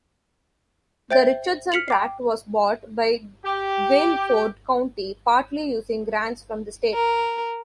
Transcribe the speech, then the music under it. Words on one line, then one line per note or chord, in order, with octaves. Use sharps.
The Richardson Tract was bought by Guilford County, partly using grants from the state.
C5 E5 G5 G6 A6
F6 B6 C#7 F7 F#7
G5 D6 C7
G4
A#4